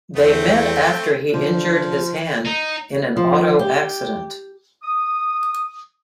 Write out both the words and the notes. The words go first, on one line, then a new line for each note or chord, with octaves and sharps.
They met after he injured his hand in an auto accident.
E2 A3 C4
D3 F3
D#4
F3
G4
D#6